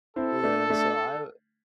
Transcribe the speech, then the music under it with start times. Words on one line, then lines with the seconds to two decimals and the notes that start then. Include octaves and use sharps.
yeah, so, I, w
0.16 C4 E4 A4
0.44 A3 D4
0.70 A3 D4